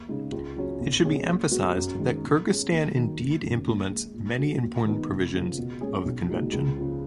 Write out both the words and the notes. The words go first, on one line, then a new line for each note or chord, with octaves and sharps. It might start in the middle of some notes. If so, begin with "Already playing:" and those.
It should be emphasized that Kyrgyzstan indeed implements many important provisions of the Convention.
Already playing: D#2
C#3 G#3 D#4
C#2
C#3 F#3 C#4
B1
B2 F#3 C#4 G#4
A#2
G#3 B3 F#4
F#2
D#3 G#3
B2
G#3 C#4 G#4
D#2
D#3 F#3
F#1
F#2 D#3
A#1
A#2 G#3
A#2
G#3 C#4 F#4
D#2
D#3 G#3 B3 D#4
F1
D#2 C#3 F3 A#3
B2
G#3 C#4 G#4
B1
A#2 G#3 D#4 F#4
C#2
C#3 F3